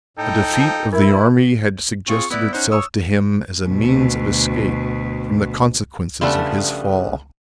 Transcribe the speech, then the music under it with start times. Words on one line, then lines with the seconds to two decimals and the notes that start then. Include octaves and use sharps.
A defeat of the army had suggested itself to him as a means of escape from the consequences of his fall.
0.17 A2 D#4 A4 G5
0.48 F3
0.93 E4 A#4
2.08 C4 F4 G#4 C#6
2.30 B3 E4 D5 F#6
2.53 C#4 D#4 C5 F#5
2.72 C#5 D#6 E6
3.66 D2 B2
6.21 C#3 F3 G3 A3 B3 D4